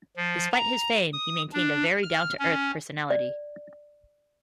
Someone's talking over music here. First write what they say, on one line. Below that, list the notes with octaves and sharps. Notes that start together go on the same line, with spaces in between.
Despite his fame, he maintained a very down-to-Earth personality.
F3
A#5
D#6
D4
F6
C#4
D5